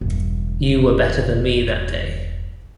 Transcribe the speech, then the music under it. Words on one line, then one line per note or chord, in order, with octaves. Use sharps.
You were better than me that day.
E1 G2